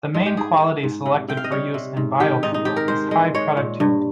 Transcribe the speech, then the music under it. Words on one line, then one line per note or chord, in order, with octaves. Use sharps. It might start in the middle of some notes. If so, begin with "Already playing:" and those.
The main quality selected for use in biofuel is high productivity.
G#2 G#3
G4
G#2 G#4
G#2
G#2
C3
C3 G5
F5
D#5
G3 C#5
C3
G#2
D#3 G4
G#2 D#4
D#4
G#2 G4
A#4
G#3 C5
G#3
G#3 C#5
A#2
G2